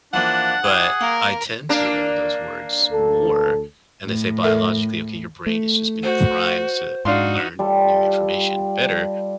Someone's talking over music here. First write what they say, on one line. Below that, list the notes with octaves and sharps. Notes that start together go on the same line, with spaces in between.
but I tend to remember those words more, and they say biologically, okay, your brain has just been primed to learn new information better
E3 F3 A#3 D4 F#5
E4 G4 G#4
A#3 A#4
A#3 D4 A#4
D2 A4
A2
A4 A#4 E5
A3
F#4 C5
G#2 D4 D#4 F#4 F5 C6
G3 F4 A4